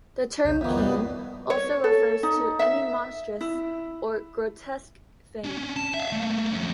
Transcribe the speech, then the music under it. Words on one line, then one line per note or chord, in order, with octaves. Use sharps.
The term came also refers to any monstrous or grotesque thing.
B1 E2 C#3 G6
F2 D#3 B3 E5 D6
C2 G2 B2 G3
C#5
A4
D#4
E5
E4
C#4 D4
A5
E5 F5
A3 A#3
F2 C#4